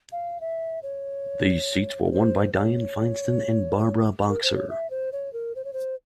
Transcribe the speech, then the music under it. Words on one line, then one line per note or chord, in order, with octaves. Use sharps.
These seats were won by Dianne Feinstein and Barbara Boxer.
F5
E5
C#5
A#4
C5
C#5
A#4
C5
C#5
E5
C5
C#5
A#4
C5
C#5
C5